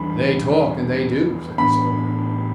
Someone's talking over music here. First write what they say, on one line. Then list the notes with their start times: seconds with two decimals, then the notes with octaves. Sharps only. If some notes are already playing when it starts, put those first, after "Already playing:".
"They talk--and they do," said the soldier.
Already playing: E2 E3 G3 D4 B5
1.58 A2 E3 B3 D4 B5